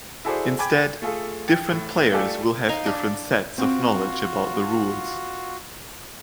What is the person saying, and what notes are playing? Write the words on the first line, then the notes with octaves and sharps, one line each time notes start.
Instead, different players will have different sets of knowledge about the rules.
E4 F#4 G#4 A4 C5 D5
G5 G#5 B5 D6 G#6
A3 F4 G#4 A4
G5 A6 C#7
A2
A3 F4 G4 A4 D5 G#5
D#4 F5 G#5
D4
C4 F4 F#4